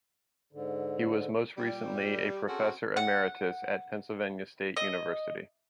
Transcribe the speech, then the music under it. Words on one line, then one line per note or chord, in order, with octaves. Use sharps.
He was most recently a professor emeritus at Pennsylvania State University.
G#2 D3
A#2 G3
C4 C#4 F#4 G#4 A4
F#5
D#5